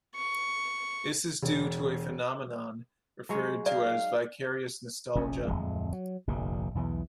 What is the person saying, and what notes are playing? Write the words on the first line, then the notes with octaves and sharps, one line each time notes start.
This is due to a phenomenon referred to as vicarious nostalgia.
C#6
E1
F#3 G#3 C#5
D#4 D5 F5
F1 A#1 F2 C#4
D1 C2 F2 G#3
F#3
F1 A#1 G2 D3
B1 E2 E3